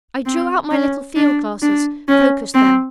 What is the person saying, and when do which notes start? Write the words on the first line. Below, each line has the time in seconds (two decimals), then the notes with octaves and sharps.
I drew out my little field-glasses, focussed them.
0.26 C4
0.71 C#4
1.17 D4
1.62 D4
2.09 C#4
2.55 C4